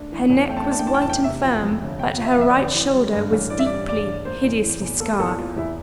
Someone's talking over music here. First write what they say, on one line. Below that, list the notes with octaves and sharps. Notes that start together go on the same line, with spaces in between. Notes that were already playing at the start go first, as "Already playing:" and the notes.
Her neck was white and firm, but her right shoulder was deeply, hideously scarred.
Already playing: A3 D4
E3
E2
A3 G5
A5
G5
D4 A5
G5
E3 A5
G5
A5
E2 G5
C3 E5
F3
F2
G1
C3 G5
F3
E5
F5
F2 E5
D5
G1
E3
G3
G2
A1
E3 D5
E5
G3 D5
G2 D5
A1
A#3 C5
E2
E3
E2
A#3 A4
G4
E2 A4
E3 F4
E2 E4